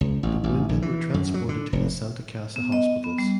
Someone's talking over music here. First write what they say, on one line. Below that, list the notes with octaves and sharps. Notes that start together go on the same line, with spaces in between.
The wounded were transported to the Santa Casa hospitals.
C#2
A1
A1
A#1
E3
F#2
F#3
D3
F1
B3
D#5
B3
G3